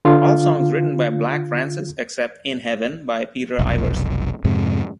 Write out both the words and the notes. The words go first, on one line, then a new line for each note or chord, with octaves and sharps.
All songs written by Black Francis, except "In Heaven" by Peter Ivers.
D3 F4 F5
F1 B1
F2 G#2 C3